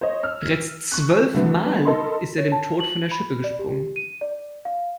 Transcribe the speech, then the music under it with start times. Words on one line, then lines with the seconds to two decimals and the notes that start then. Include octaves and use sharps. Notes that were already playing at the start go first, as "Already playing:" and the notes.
Bereits zwölf Mal ist er dem Tod von der Schippe gesprungen.
0.01 C5 C#5 D#5
0.23 E6 F6
0.92 C#6 F#6
1.34 C2 D3 A3 F#4 B4
1.62 G3 B3
1.85 D#4 A4 A#4 D#5 B5 C6
2.38 C#5
2.52 A5
2.80 F#7
3.11 B5
3.44 D5
3.59 G4
3.96 D#7
4.21 D5
4.65 F5